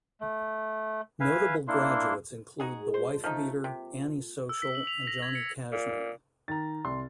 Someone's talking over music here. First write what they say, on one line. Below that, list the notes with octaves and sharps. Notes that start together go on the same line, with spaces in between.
Notable graduates include The Wifebeater, Annie Social, and Johnny Kashmere.
A3
B4 E5 F5 G#5
A#3 D4 E4 C6
D#4 F#4 G#4
G#2 A#4
A#2 A4 C5
F3 A3 D#4
C3
E6
B6
F#7
F7
A#6
G#6
C#7
A#2
D#3 A#5 A6
C2 C6